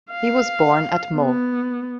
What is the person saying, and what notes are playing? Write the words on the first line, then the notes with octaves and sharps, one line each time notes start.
He was born at Meaux.
F5
B3